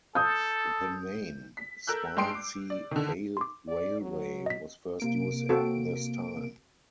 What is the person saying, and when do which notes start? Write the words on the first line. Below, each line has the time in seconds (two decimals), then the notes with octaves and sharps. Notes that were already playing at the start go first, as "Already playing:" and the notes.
The name "Swansea Vale Railway" was first used at this time.
0.15 A4 D#6 G6
1.57 B6
1.87 A4 A#4 E6 F#6 G6
2.17 G2 G#3 G5 C6 C7 D7
2.35 D6
2.70 D5
2.91 D3 D#3
3.37 C6 D6
3.68 D5
4.01 F#3
4.46 D#5 B6
5.00 C3 A#3 D7
5.49 C4 F#4 A4